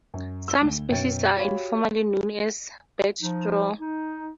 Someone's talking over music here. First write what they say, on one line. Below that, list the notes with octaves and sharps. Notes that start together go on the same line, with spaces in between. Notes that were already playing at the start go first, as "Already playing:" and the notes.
Some species are informally known as bedstraw.
F#2
E6 G7
D2
F#2 B2 C#5 G5 A6
F#4 G4 C#5 F5 B5
F3 D#4
D#4